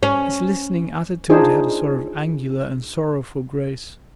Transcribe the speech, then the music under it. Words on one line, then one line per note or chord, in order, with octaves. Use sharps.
His listening attitude had a sort of angular and sorrowful grace.
C#4
D4 D#4 F4 G#4 C5